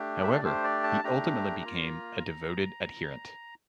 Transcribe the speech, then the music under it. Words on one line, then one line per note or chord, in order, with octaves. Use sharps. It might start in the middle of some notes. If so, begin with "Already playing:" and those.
However, he ultimately became a devoted adherent.
Already playing: A3 D4 G4
E5
D5
A3 D4 G4 C5
D5
A5
A3 D4 G4 A#5
A#3 F4